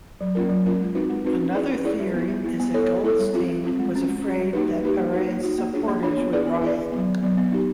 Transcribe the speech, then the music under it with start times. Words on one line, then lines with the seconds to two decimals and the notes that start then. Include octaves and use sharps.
Another theory is that Goldstein was afraid that Paret's supporters would riot.
0.21 F#3
0.35 A#3 C#4 F4 A#4
0.49 F#3
0.64 A#3 C#4 F4 A#4
0.80 G#3
0.95 C4 D#4 F#4 B4
1.10 G#3
1.25 C4 D#4 F#4 B4
1.40 C#4
1.55 E4 G#4 B4 D5
1.69 C#4
1.85 E4 G#4 B4 D5
2.00 G3
2.14 B3 E4
2.29 G3
2.44 B3 E4
2.60 B3
2.74 E4 A4 C#5
2.89 B3
3.04 E4 A4 C#5
3.18 G3
3.34 C4 F4
3.48 G3
3.64 C4 F4
3.79 G#3
3.93 C#4 F#4
4.09 G#3
4.23 C#4 F#4
4.38 G3
4.53 A#3 D#4 G4 B4
4.69 G3
4.83 A#3 D#4 G4 B4
4.98 A#3
5.13 D#4 F#4
5.29 A#3
5.43 D#4 F#4
5.59 A#3
5.73 D4 F4 G#4 C#5
5.88 A#3
6.03 D4 F4 G#4 C#5
6.17 B3
6.33 E4 G#4 B4 D5
6.47 B3
6.62 E4 G#4 B4 D5
6.78 D#3
6.92 F#3 B3
7.07 D#3
7.22 F#3 B3
7.37 B3
7.52 D#4 G4